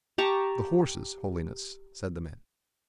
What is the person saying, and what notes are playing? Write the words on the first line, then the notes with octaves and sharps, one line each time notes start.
"The horses, Holiness," said the man.
G4 A5 A#5 C#6